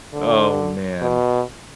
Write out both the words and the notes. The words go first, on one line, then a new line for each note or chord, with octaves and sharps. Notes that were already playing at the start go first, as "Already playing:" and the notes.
Oh man.
D3
B2